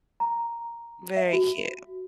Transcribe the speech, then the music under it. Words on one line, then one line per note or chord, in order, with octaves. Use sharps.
Very cute.
A#5
E5
F#4